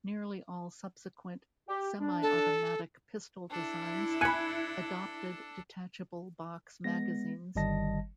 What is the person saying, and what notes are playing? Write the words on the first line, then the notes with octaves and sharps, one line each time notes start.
Nearly all subsequent semi-automatic pistol designs adopted detachable box magazines.
G4
D4
A4
D4 E4 A4
G#5 B5 F#6 G#6 C#7
G#3 B3 A#6
G1 D#3 G3 D#5 A5 A#6